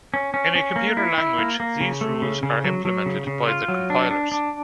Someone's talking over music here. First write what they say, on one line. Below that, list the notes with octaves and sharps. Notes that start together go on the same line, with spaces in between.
In a computer language, these rules are implemented by the compilers.
C#4
C#4
C#4
A#3
E4
E4
A#3
A#3
C#3
A3
C#3
C#3
F#3
F#3
C#3
C#3
F4
F#3
D4
D4
D4